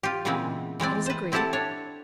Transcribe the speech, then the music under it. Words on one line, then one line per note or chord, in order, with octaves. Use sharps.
"That is agreed."
F4 G4
A#2 C#3 E3 G#3 B3 C4
E3 G#3 C4 D5
B4 C5
C4 E4 G4 A4 F#5 A5
D4 C#5